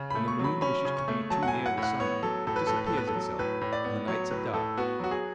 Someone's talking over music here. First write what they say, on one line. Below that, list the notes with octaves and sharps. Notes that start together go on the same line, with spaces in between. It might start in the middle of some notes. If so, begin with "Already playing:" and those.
When the moon wishes to be too near the sun, it disappears itself and the nights are dark.
Already playing: C#3
A3 B5
C#6
F#3
B5
C#4 B5
C#3
C#6
A3
F#3 A5
F#5
G#5
A2
F#5
A2
F#5
B3 C#5
F#3 A4
A2 A4
B4
A2 A4
B4
A4
B3
B4
A4
F#3
A2 B4
A2
D5
B3
F#3 C#5
A2 B4
A2 A4
B3 F#4
F#3 F#4
G#4